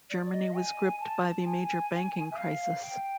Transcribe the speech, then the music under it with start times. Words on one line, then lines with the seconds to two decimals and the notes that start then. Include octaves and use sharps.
Germany was gripped by a major banking crisis.
0.10 D5
0.26 D5
0.34 D#5
0.56 G#5
1.00 A5
1.45 G#5
2.31 E5
2.37 F5
2.82 G5